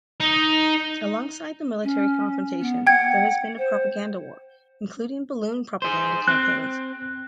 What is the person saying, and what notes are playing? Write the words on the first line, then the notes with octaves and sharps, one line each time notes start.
Alongside the military confrontation, there has been a propaganda war, including balloon propaganda campaigns.
D#4
C#4
B3
F#5 G5 G#6
C5
G#4 C5
C4 F#6